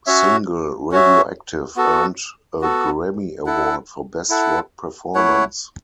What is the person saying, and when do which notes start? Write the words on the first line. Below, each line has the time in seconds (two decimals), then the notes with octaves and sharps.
Single "Radioactive" earned a Grammy Award for Best Rock Performance.
0.07 C#4 F#4 C#5 E5
0.92 C#4 F#4 C#5 E5
1.76 B3 F#4 A4
2.61 B3 F#4 A4
3.46 E4 A4 F#5
4.29 E4 A4 F#5
5.15 A3 E4 C#5 F#5